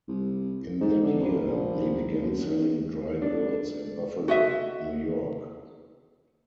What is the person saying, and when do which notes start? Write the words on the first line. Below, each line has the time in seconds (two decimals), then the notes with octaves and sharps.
In that year, they began selling dry goods in Buffalo, New York.
0.08 C2
0.80 G#2
1.03 D3
1.20 A#1
1.46 A#1
2.21 F#2
2.46 D#3
3.22 D4
4.28 F#4 D#5 E5